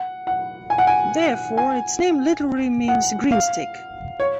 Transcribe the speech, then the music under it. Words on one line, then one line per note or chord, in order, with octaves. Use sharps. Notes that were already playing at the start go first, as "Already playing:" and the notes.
Therefore, its name literally means green stick.
Already playing: F#5
F#5
G#5
F#5
G#5
G#5
F#5
F5
C#5